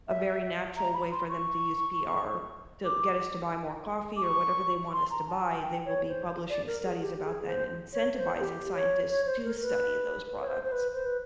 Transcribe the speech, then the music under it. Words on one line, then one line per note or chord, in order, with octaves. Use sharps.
a very natural way for them to use PR to get us to buy more coffee or whatever they want us to buy, they will be publishing studies about that and incentivizing scientists to study those products.
E5
A#5
B5
C6
C#6
D6
D6
C#6
C6
A#5
A5
G#5
G5
C#5
C5
D5
A#4
G#4
G4
G#4
C5
C#5
C5
G4
C#5
C#5
C5
A#4
B4
C#5
C5
C5
B4
C5
B4